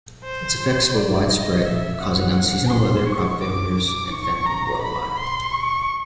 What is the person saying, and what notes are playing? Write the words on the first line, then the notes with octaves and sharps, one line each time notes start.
Its effects were widespread, causing unseasonal weather, crop failures and famines worldwide.
C5
D5
D#5
E5
F#5
C6
C#6
D6
D6
C#6
A#5
B5
C6
C#6